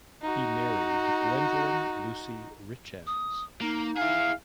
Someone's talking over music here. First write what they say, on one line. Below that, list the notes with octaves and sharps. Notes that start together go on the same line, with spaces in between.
He married Gwendoline Lucy Richens.
D#4 F#4
D#6
A#3 D#4
E4 G#4 F5